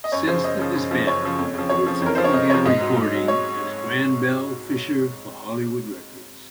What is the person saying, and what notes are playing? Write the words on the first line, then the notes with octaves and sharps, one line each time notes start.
Since the disbanding, Littleton began recording as Gran Bel Fisher for Hollywood Records.
D#5
F#2 C#5
C#3 F3 C5
F#2 D#5
C#3 F3
F#2
C#3 F3
F#2 C#5
C#3 F3
F2
C#3 F3
F2 C#5
C#3 F3
F2 A#4
C#3 F3 C5
C#5
F2 D#5
C#3 F3 C#5
G#2 D#5
F#3
G#2
F#3
C#5